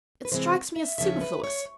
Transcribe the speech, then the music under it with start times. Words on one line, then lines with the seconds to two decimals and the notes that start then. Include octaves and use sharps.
It strikes me as superfluous.
0.25 B4
0.32 C3 E3 G#3 C4 C5
0.76 E5
0.98 D#2 C#3 F3 C#4 E5
1.21 B4
1.44 C#5